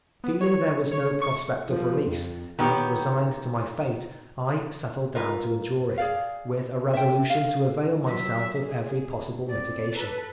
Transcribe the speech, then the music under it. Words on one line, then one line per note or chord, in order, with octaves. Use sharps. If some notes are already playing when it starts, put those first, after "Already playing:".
Feeling there was no prospect of release, and resigned to my fate, I settled down to endure it, with a resolution to avail myself of every possible mitigation.
B3
C#5
C#5
C#6
F3
F2
D#3 B3 G4 C#5
F4 A#4 B4
G#4 D5 F5
E5 G5
F5
F#3 E5
G#4
C4 D5
A4 B4